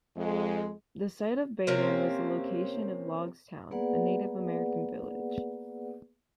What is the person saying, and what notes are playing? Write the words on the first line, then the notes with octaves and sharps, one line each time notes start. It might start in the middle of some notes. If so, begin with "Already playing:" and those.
The site of Baden was the location of Logstown, a Native American village.
F2 G#3
C3 A#3 C4 C#4
A#3 B3 G#4 B4 D5 F#5